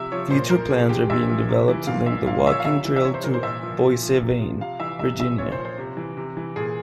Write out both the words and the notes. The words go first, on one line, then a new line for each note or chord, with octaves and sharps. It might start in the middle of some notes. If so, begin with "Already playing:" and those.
Future plans are being developed to link the walking trail to Boissevain, Virginia.
Already playing: C3 F3 E5
F3 C#5
A#2 C5
F3 A#4
C3 G#4
E3 G4
A#2 E5
F3
C3
E3
A#2 F5
F3 E5
A#2 F5
F5
F3 E5
C#5
F5
C3 E5
E3
E5
C3 C#5
C5
E3 A#4
C5
A#2 E5
F3
A#2
F3
C3
F3
C3 F5
E3 E5
C3 E5
F3 E5
A#2 C#5
C5
F3
C5
C3
E3
C3
E3
A#2 G#4